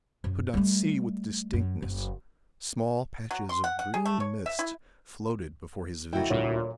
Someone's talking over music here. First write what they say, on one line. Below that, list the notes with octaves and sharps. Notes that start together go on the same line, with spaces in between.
He could not see with distinctness. Small patches of green mist floated before his vision.
F#2
G3 A3
F#2
F#1
F#3
C6
F#5
F#5
G#4
A3
C#5
E5
E4
F1 E4 F#4 G5
D#1 D2 A#2 D3 C#5